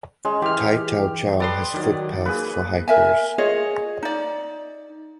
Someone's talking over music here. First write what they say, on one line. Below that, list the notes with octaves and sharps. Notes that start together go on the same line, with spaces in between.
Tai Tau Chau has footpaths for hikers.
G#3 C#4
E3 G4 F6
A4 B4 D5 C6 D#6
D#3 F#3
A#3 G#4 B4
A#4 E5 G#5
F4 G#4 C#5 D#5
D#4 D5